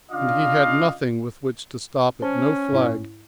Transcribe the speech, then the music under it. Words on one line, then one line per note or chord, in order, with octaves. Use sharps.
And he had nothing with which to stop it, no flag.
C#3 D4 F4 D5 D#5 F5
C#4 C5 A5
G#2 E4